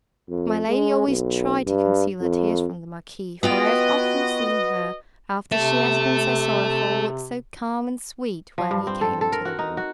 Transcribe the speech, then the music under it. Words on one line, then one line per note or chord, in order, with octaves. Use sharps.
My lady always tried to conceal her tears from the Marquis, for I have often seen her, after she has been so sorrowful, look so calm and sweet, when he came into the room!
F2
G#3
B1
G2
F2
B3 F4 F#4 B4 D#5 G5
C3 A4 E5
F3
G2
C4
A4
A4
A#4
F#4
D#4
F#4